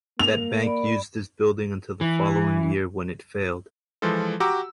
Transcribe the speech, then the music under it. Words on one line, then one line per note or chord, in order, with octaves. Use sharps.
That bank used this building until the following year when it failed.
A#3 F7
D5 B5
E3
E3 F3 G#3 F4 A4
F#4 G4 F#5 A#5 D6 E6